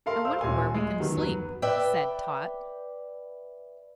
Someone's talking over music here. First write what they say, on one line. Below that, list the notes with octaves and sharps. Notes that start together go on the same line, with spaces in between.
"I wonder where we can sleep," said Tot.
A4 A#4 F5 A#5 C6
C5 F5 C6 E6
D#1 G#5 C6
G#3
D#3 F#3 B3
F1 F#3 B4
B4 D5 E5 G5